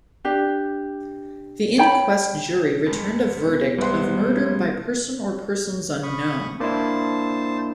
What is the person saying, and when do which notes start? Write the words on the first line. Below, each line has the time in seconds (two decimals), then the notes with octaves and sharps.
The inquest jury returned a verdict of murder by person or persons unknown.
0.24 D4 G4
1.78 C#5 G5 B5
2.86 F2 G#3
3.44 B2
3.78 C2 G3 G#3 B4 C5 F#5
6.03 B5 C#6 D#6
6.60 A#3 D4 E4 C5 A5